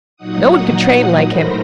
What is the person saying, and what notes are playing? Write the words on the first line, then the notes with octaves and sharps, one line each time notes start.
No one could train like him.
A#2 F#3 D#4 F#5 D#6
A2 A3 A#4 C5 B5 A#6